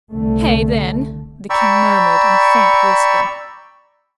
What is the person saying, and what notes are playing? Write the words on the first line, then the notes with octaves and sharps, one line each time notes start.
'Hay, then,' the King murmured in a faint whisper.
C2 D3 A3
D5 G5 A#5 B5 C#6 E6